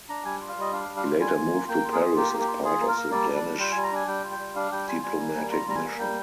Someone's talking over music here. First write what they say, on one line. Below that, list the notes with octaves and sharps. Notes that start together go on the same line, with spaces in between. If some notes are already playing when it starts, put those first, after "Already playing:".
He later moved to Paris as part of the Danish diplomatic mission.
D4 A#5
G3 G#5
F4
F5
G3 D#5
D4 F5
G3
F5
F4
F4 G#5
F4
A#3
A#3 G5
F4
G#4
F4
A#3 G4
A#3
G4
F4
F4 G#4
A#3
A#4
A#3
G3 D5
D4
D5
G3
F4 G5
G3 G#5
A#5
D4 G#5
G3 G5
F4
G5
G3
D4 F5
G3 G5
F4 G#5
G3 G#5
A#3
G3
F4 A#5
G3 A#5
G#5
A#3
G3 G5